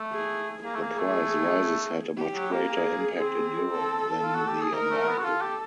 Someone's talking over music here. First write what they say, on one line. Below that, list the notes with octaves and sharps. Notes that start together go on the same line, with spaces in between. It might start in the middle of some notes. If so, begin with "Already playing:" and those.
The price rises had a much greater impact in Europe than the embargo.
Already playing: A3
G#4
A#3 G#4
A3
A#3
A3
G4
F#3
A#3
G#4
C4
A4
F4
F#4
G4
G#4
D#4 A#4
A3
B3
F#4
F4 A4
G4